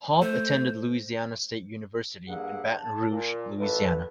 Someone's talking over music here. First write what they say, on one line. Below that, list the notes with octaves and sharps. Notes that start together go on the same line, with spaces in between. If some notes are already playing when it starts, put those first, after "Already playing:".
Hawpe attended Louisiana State University in Baton Rouge, Louisiana.
A3 C5
G2 A#3 G#4 E5 F#5
A5
A#2
A1 A4 B4